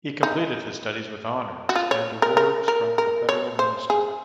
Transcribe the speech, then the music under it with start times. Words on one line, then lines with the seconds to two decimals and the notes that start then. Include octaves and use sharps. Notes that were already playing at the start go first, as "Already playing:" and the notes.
He completed his studies with honours and awards from the Federal Minister.
0.23 D#4
1.69 F#4
1.76 F4
1.91 C#5
2.22 A#4
2.37 A#4
2.68 A#4
2.98 A#4
3.29 C#5
3.59 C5
3.90 G#4